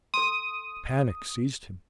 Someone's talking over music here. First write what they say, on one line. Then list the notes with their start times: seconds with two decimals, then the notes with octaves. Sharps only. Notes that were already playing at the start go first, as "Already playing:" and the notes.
Panic seized him.
0.14 A4 C6 D#6